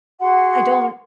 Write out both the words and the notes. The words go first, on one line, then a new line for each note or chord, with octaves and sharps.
I don't
F#4 G#4 F#5 C6